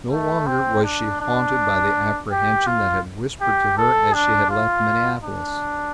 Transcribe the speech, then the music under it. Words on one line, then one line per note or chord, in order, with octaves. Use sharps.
No longer was she haunted by the apprehension that had whispered to her as she had left Minneapolis.
A3
C4
D4
D4
G4
F4
G4
A4
D4
F4
D4